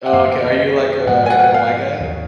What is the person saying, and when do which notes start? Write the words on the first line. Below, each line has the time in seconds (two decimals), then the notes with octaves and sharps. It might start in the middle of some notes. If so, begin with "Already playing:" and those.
Oh, okay. Are you like a are you like a white guy?
0.06 F#5
0.13 F#2 D#3 A#3 F5
1.06 G#2 F3 G#3 B3 F#5
1.26 G#5
1.30 F#5
1.44 F#5
1.54 F5
2.01 D#2 D#3 F#3